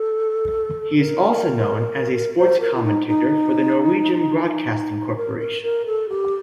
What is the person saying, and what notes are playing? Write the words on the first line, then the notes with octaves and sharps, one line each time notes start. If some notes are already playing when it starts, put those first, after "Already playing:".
He is also known as a sports commentator for the Norwegian Broadcasting Corporation.
Already playing: A4
A#4
C5
A#4
F4
D#4
D#4
D#4
A#4
A#4
A#4
A4
G4